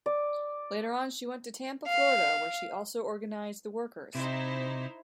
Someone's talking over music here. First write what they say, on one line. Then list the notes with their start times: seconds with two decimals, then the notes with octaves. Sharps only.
Later on, she went to Tampa, Florida, where she also organized the workers.
0.06 D5
1.85 F5
4.15 C3 D#4 E4 C5